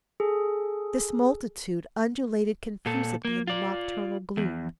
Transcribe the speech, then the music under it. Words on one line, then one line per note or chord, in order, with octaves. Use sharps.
This multitude undulated confusedly in the nocturnal gloom.
G#4 A4
A#2 A4
A#3
F4 D5
E2